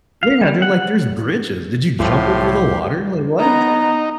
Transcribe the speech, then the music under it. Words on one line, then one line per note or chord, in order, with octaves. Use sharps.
yeah, they're like, "There's bridges. Did you jump over the water? Like, what?"
F5
G3
F#5
C2 A2 F3 G4 C6
B3 D#4 A#5